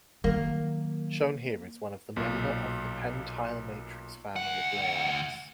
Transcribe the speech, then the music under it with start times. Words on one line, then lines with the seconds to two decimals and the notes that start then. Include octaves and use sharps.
Shown here is one of the member of the PenTile matrix family of layouts.
0.24 D#3 F#3 A#3
2.16 B1 A#2
4.36 D2 F#5